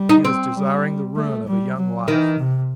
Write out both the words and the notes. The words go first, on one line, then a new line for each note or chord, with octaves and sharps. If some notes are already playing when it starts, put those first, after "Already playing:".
He was desiring the ruin of a young life.
Already playing: G3
D#4
C4
G3
A3
G3
F#3
D#3 E3
C3